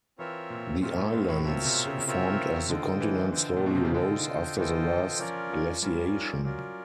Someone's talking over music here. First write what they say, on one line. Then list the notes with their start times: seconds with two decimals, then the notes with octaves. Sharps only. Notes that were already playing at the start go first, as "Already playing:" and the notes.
The islands formed as the continent slowly rose after the last glaciation.
0.19 E3 C4 F4 A#4 C#5 E5
0.50 A#2
0.81 A#2 C4 F4 A#4 C#5 E5
0.97 A2
1.13 G#2
1.28 A2
1.43 B2 C4 F4 A#4 C#5 E5
1.65 C3
1.85 C#3
2.06 C4 F4 A#4 C#5 E5
2.69 D3 F4 A4 C5 D#5 G5
3.00 E3
3.31 D3 F4 A4 C5 D#5 G5
3.57 A#2
3.66 B2
3.75 C3
3.85 C#3
3.93 D3 F4 A4 C5 D#5 G5
4.56 E3 F4 A4 C5 D#5 G5
5.19 F3 C#4 F4 A#4 D5
5.50 F3
5.81 G3 C#4 F4 A#4 D5
6.44 F#3 C#4 F4 A#4 D5